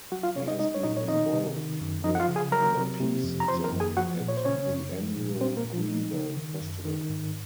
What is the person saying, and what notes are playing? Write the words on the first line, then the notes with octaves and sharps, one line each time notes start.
He has been involved with the "Peace Zone" at the annual Greenbelt Festival.
F#3 F#4 F#5
F4 F5
C3 C#4 C#5
D#4 D#5
G#3 D#4 D#5
C#5
A#2 D#4 D#5
C#5
D#3 D#4 D#5
C3
D#3
F#2
F3 D#4 D#5
F#5
F4 F5
C#3
G#4 G#5
F#3 A#4 A#5
C3
C3
F2
A#5
F3 C5 C6
A#4 A#5
F#2
G#4 G#5
F3 F#4 F#5
A#2
C#5
C5
C#3 C#4 C#5
F#2
F3
A#2
G#3 C4 C5
A#3 A#4
A#2
F3 F4
F3 D#4
C#3
D#3
F#2
D#3
G#2